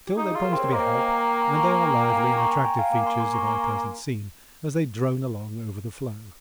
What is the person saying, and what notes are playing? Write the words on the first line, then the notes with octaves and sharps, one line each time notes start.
Still they promise to be a help, and they are lively and attractive features of our present scene as they drone along over the floe.
G4
D#4 F4
G#4
F4
G4 A#4
C4
A#4 C#5
A#3 C5 D#5
G5
F5 G#5
G5 A#5
G5 A#5
G5 A#5
G#5 C6
A#5 C#6
G#5 C6
G5 A#5
G5 A#5
F5 G#5
G5 A#5
A#5 C#6
G#5 C6
G5 A#5
F5 G#5
A#3
G#5 C6
G#5 C6
A#5 C#6
G#5 C6